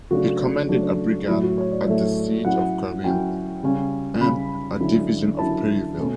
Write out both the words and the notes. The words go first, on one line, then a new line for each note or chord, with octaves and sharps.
He commanded a brigade at the Siege of Corinth and a division at Perryville.
C#3 F#3 A3 D4 F#4
C#3 F#3 A3 D4
A2 F#3 A3 E4
F#4
C#5
D5
A2 F#3 A3 E5
F#3 C#4 E4 F#5
F#3 C#4 E4 G5
C#3 G3 C#4
C#3 G3 C#4 B5
D3 F#3 C#4 E4
D3 F#3 C#4 E4 A5
B2 A3 C#4